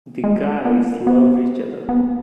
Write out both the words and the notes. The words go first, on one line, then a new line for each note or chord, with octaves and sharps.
The guys love each other.
G#3
B3
B3
B3